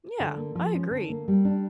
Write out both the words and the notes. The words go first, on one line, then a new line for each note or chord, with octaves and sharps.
Yeah, I agree.
D3
A#3
F3
C#4
D3
A#3
G3
D4